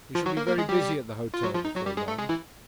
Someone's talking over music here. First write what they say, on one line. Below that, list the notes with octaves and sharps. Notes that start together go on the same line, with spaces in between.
We shall be very busy at the hotel before long.'
F3 F4
F#3 F#4
A#3 A#4
A#3 A#4
G#3 G#4
G3 G4
F4
F#3 F#4
F3 F4
D#4
F#3 F#4
G3 G4
G#3 G#4
A3 A4
G#3 G#4
E3 E4